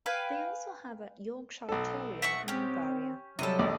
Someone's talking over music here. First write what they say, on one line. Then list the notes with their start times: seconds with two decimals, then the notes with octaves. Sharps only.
They also have a Yorkshire Terrier named Varia.
0.06 B4 F5 G5 G#5
1.69 B1 A4
2.22 E5 F#5 C#6
2.48 C4 C#4 G4
3.39 C3 F#3 G3 A4 D#5
3.59 A#1 D#2 D5